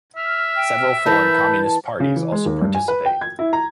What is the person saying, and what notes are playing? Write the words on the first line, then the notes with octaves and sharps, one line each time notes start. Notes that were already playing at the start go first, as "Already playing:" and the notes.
Several foreign communist parties also participate.
E5 F6
G5
E3 A#4 A5 B5 G6
C#3
E3
G#3
D#2
G2
G#5
B4
G5
G#6
E4
A#5